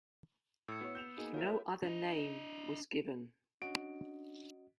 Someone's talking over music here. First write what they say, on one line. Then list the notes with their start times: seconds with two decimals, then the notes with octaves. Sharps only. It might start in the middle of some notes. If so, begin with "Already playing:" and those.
No other name was given.
0.68 A2 E6 C#7
0.81 B3 E4 C#5
0.95 G6 E7 F7
1.17 A#3 D#4 G#4
1.34 F4 A#4 C#5 E5
1.83 D4 D#5
3.62 C#4 D4 F#4 D#5 D7